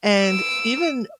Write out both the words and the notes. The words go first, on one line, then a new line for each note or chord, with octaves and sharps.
and even
E6 D7